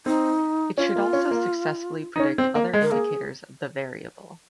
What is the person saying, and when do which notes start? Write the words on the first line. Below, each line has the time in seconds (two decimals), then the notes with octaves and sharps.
It should also successfully predict other indicators of the variable.
0.06 C4 D#4
0.77 C#4 F4
0.96 A#3
1.13 C#4
1.31 A#3
2.16 D#4
2.20 C#4
2.38 C4
2.55 A#3
2.74 G#3
2.82 A#4
2.91 A#3 G#4